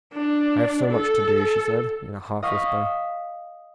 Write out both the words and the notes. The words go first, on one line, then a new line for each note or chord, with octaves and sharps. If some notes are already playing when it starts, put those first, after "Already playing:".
"I have so much to do," she said, in a half-whisper.
D4
A4
D#5 F5 C#6 D#6 B6